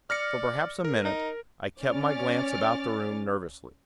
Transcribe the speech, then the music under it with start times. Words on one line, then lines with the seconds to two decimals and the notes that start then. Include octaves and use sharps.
For perhaps a minute, I kept my glance about the room, nervously.
0.10 D5 F6 A#6 C#7
0.85 A#4
1.05 D#4
1.80 C#4 D5 D6 F6 A6